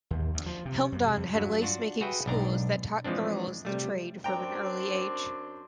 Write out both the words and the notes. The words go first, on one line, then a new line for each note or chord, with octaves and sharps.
Helmdon had lace-making schools that taught girls the trade from an early age.
D#2
D2
F3
C3
F#2
C3
F2
G2 F#3
D4 F4 F#4
F#4 G#4 B4 E5 G5
B1 G#2 D4 G5 A#5
E3 F3 G#3 C4 D4
C3 G3 A3
F#2 C4 D4 G5 A#5